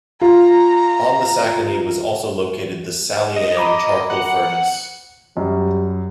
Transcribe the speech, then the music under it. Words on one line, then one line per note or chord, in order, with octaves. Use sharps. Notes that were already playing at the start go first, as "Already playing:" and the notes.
On the Sacony was also located the "Sally Ann" charcoal furnace.
F4 A#5
D#5
A#5 B5 D6
F#5
F#2 G3